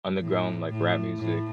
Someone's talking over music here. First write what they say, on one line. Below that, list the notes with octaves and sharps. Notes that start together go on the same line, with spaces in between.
underground, like, rap music,
A2
A2
A2